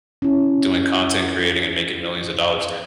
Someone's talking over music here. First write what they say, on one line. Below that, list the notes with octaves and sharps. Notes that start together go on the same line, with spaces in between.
doing content creating and making millions of dollars;
C#4 E4